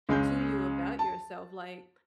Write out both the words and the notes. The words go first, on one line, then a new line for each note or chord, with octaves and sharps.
to you about yourself, Like,
C#2 G#3 C#4 G6
A5